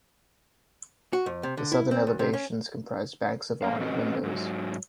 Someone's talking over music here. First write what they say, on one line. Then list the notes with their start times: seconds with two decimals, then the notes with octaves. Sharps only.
The southern elevations comprised banks of awning windows.
1.13 F#4
1.26 F2
1.43 C3
1.57 D3
1.72 E4
1.91 C4
2.07 B1
2.19 C3
2.34 C#4
3.63 A3 A#3 C5 F5
3.80 C4 C#4 F#4 B4 D#5
4.23 G#2 F#3